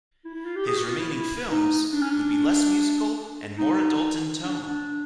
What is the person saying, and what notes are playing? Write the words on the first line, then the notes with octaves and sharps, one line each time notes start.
His remaining films would be less musical and more adult in tone.
E4
E4
F4
G4
G#4
F#4
F4
E4
E4
D#4
D4
C#4
D4
D#4
D4
D4